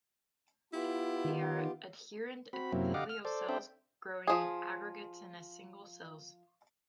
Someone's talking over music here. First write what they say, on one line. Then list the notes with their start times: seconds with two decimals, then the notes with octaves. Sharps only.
They are adherent epithelial cells growing in aggregates and as single cells.
0.73 B3 E4 F4 G4
1.25 D#3
2.53 C4 F#4 B5
2.73 F#2 C3 F#3 A#3 C4 E4
2.94 D3 G4 D#5 F5 F#5 D6
3.09 F6
3.25 A4 C5 D5
3.49 C4 D4 A4 C5 E5 G5
4.27 F3 G#4